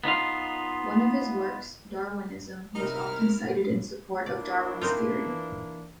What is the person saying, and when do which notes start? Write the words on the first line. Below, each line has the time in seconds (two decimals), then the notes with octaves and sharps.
One of his works, "Darwinism", was often cited in support of Darwin's theory.
0.04 B3 D#4 F4 F5
2.75 C3 G3 D#4 E4 A#4 F6
4.26 A#3 D4 E4 D5
4.81 C4 D#4 F4 A#4
5.27 E3